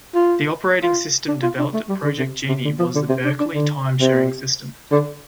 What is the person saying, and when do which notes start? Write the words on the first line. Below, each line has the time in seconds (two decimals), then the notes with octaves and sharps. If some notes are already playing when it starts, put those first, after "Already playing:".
The operating system developed at Project Genie was the Berkeley Timesharing System.
0.15 F4
0.83 F4
1.28 D4
1.43 F4
1.59 D4
1.74 A3
1.89 G3
2.04 D3
2.19 C3
2.49 C3
2.65 D3
2.79 F3
2.95 D3
3.09 C3
3.25 D4
3.40 D4
3.55 D3
4.01 C3
4.92 D3